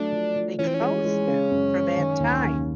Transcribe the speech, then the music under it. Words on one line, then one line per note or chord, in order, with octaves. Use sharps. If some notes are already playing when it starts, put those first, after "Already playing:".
they closed it for that time.
Already playing: F#3 A3 D4
F3
F3
E3 C#4
C4
C#4
G#3
G#3
C#3
F#2
F#2
D#3
D#2
D#2